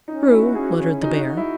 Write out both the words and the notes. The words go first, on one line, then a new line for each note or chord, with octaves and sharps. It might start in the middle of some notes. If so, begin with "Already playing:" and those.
"True," muttered the Bear.
C#4 D#4
E4 F#4
C#4 G#4
C#4
D#4 F#4
F#4
E4